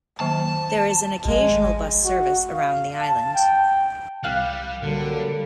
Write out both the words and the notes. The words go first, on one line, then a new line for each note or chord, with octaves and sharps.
There is an occasional bus service around the island.
D#3 F#3 A#3 A5
G#1 F3 G#3
F#4
F5
A5
G5
C2 G3 F5 F#6
D3 F#3 G3 A#3 A4